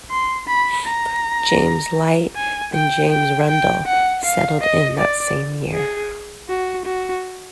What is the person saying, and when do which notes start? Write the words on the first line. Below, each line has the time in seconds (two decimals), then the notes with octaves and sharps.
James Light and James Rundle settled in that same year.
0.11 C6
0.48 B5
0.86 A#5
2.36 G#5
2.73 G5
3.11 G5
3.48 G5
3.86 F#5
4.24 F5
4.61 D#5
4.98 D5
5.73 G#4
6.49 F#4
6.86 F#4